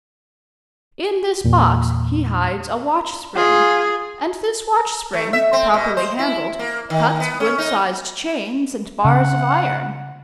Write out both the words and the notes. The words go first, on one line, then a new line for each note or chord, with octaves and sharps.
In this box he hides a watch-spring, and this watch-spring, properly handled, cuts good-sized chains and bars of iron.
E2 A#2
F4 G#4
A3
E5
C4
B2
C5
E4
A#3
D#3
B3
C#4
D#4
C#3 F#5